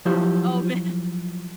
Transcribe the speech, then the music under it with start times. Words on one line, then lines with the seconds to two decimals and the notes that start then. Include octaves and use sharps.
Oh, man.
0.05 F3 F#3 E4 G4 C5